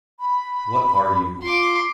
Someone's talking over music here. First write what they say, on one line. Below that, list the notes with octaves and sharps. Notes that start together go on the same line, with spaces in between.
What are you?
B5
F4 C6 D6